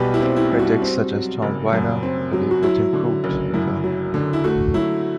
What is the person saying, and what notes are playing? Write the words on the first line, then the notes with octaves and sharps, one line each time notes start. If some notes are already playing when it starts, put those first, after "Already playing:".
Critics such as Tom Wiener believe it improved the film.
Already playing: B1 B2 G3 G4 B4 D5
E4 G4
C4
E4 G4
G3
F#4
C4
F#3
F#1
F#2
C4
F#3
F#4
F#3 E4
D3
F#1
F#2 E4
F#3
D3
E4
A3 F#4
F#3 E4